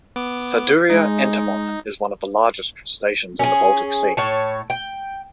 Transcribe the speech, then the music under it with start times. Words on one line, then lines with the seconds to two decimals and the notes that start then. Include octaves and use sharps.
"Saduria entomon" is one of the largest crustaceans in the Baltic Sea.
0.16 B3 D6
0.90 G#3 D#4
3.39 C#4 G#4
4.17 A2 C#5 A5
4.70 G5